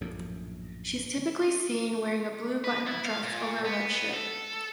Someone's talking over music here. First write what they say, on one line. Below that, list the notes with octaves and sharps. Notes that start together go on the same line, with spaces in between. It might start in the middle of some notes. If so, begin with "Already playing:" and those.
She is typically seen wearing a blue button-up dress over a red shirt.
A#1 F#2 A2
B4
E4
F5
A#2
B3
A4